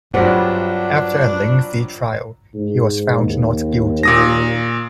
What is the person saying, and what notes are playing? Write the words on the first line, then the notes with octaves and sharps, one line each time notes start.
After a lengthy trial, he was found not guilty.
G2 F#3 G3 D4 F4 C5 D5 F#5
G#2
D#2
A#2 D#6 A#6